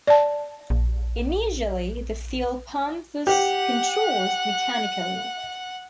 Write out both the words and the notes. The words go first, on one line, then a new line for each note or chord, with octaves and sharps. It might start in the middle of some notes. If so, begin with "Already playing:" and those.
Initially, the fuel pump was controlled mechanically.
D5 A5
A#1
G4 F#5